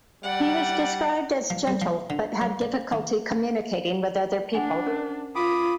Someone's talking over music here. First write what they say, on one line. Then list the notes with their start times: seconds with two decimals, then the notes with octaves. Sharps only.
He was described as gentle but had difficulty communicating with other people.
0.23 G3 D5 F#5
1.50 F3
1.67 G3
1.82 F3
2.10 D3
2.41 F#3
2.61 D5
2.92 D#3
4.55 D4 F#5 G#5
4.86 C#4 A#4 C5
5.35 F4 G5 B5 D6 D#6